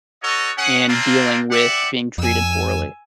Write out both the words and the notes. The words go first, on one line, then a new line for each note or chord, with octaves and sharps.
in dealing with being treated poorly?
F#4 A4 C#5 D#5
C#4 G#4 F#5
A#3 C4 D4 F4
G4 D5 E5 F#5
F2 G#5 E6